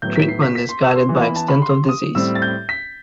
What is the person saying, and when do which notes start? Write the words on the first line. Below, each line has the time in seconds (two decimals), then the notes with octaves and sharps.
Treatment is guided by extent of disease.
0.02 A2 F#3 B3 G6
0.16 B6
0.29 C7
0.42 B6
0.55 B6
0.69 C6
0.82 E6
0.95 C6
1.09 E3 B3
1.22 B5
1.36 A5
1.48 B5
1.62 C6
1.89 D#6
2.15 A2 G3 C4 E6
2.35 A6
2.42 G6
2.69 B6